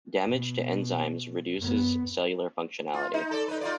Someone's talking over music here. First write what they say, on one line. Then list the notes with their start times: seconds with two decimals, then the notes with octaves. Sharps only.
Damage to enzymes reduces cellular functionality.
0.24 B2
1.58 F#2 B3
2.94 F4
3.14 D#4
3.31 A4 D5
3.48 D#4 B4
3.61 D#4 F4 D5